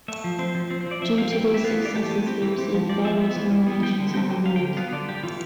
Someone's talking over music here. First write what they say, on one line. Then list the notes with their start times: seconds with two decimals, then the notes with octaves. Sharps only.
Due to these successes he received various nominations and awards.
0.08 A3 E5
0.24 F3
0.39 C4 C5
0.55 F3 C5
0.70 C4 C5
0.81 C5
0.87 F3 D5
1.02 F3 E5
1.18 C4 F5
1.32 G3 G5
1.49 E3 E5
1.64 B3 F5
1.80 E3
1.85 D5
1.95 A3 G4
2.10 E3
2.27 C4 G4
2.42 E3 G4
2.58 C4 G4
2.74 F3
2.89 F3 D5
3.05 C4 E5
3.21 B3
3.36 E3
3.52 E3
3.67 B3
3.82 G3 G5
3.99 D3
4.14 C4 G5
4.30 D3
4.45 G3 F5
4.56 G5
4.61 D3
4.77 B3 F5
4.92 D3 D5
5.08 G3 G4
5.23 E3 F4